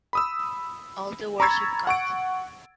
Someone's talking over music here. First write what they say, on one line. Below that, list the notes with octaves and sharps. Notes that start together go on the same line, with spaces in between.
All the words you've got.
B5 D#6 E6
A#5 B5 C#6 E6 G#6 A6
F#5 C#6 D7